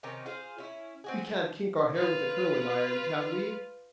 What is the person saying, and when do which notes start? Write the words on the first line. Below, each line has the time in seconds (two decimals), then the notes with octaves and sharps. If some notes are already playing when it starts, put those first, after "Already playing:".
We can't kink our hair with a curling-iron, can we?
0.03 C3 D#3 C#4 A#5
0.26 F4 G#4 C5 F5
0.58 C#4 E4
1.04 C4 F#4 G#4
1.27 F3
1.94 F4 B4